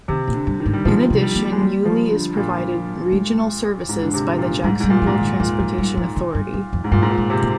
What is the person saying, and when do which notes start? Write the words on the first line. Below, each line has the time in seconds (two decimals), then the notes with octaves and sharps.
In addition Yulee is provided regional services by the Jacksonville Transportation Authority.
0.08 C3 D#3
0.27 A#2
0.34 D3
0.47 G2
0.60 D#3
0.66 G#2
0.73 G3
0.85 A#2 F3
1.10 C3
1.22 G3
1.35 A#3
1.52 G#3
1.61 G3
1.85 F3
2.11 D3
2.37 A#2
3.12 G#3
3.89 G#2
4.02 D3
4.14 C3
4.38 A#2
4.64 G#2 G3
4.80 G#2 G3
4.90 A#2
5.02 F3
5.07 G#2
5.15 A#2
5.21 D#3
5.40 A#2 F3
5.60 F3
5.78 G3
5.97 F3
6.16 D3
6.35 G2
6.53 G2
6.73 F2
6.84 G#2
6.92 G2 A#2
7.02 G#2
7.11 A#2
7.18 G#2
7.30 C3
7.42 A#2